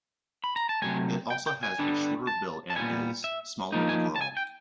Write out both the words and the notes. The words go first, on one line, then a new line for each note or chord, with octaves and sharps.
It also has a shorter bill and is smaller overall.
B5
A#5
A5
C3 D#3 F#3 A3 G#5
G5
G5
G#5
D3 G3 B3 D4
A5
A5
A#2 G3 B3 G#5
E5
F3 A#3 D#4
G#5
A5
G#5
G5